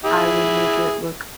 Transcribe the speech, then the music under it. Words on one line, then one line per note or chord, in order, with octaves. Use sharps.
I would make it look
E4 G#4